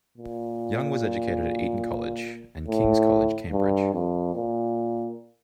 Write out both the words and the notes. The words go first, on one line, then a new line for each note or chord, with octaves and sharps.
Young was educated at Eton College and King's College, Cambridge.
A#2
A2
G2
F2
A#2